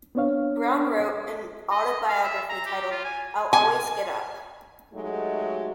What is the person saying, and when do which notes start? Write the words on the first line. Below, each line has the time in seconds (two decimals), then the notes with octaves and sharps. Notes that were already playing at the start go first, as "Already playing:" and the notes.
Brown wrote an autobiography entitled "I'll Always Get Up".
0.15 B3 C4 D4 C#5 F5
1.71 D#5
2.09 F5
2.24 E5
2.49 A#5
2.66 G4
2.91 F4
3.04 G#5
3.53 G#5
4.93 F#3 G#3 A3 D#4 F#4 G4